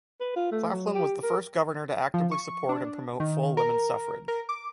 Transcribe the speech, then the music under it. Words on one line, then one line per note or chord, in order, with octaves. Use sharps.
Claflin was the first governor to actively support and promote full women's suffrage.
B4
F4
A3
F#3
G4
A#4
F3
C#6
D4
D#3
A#4
A#4
D6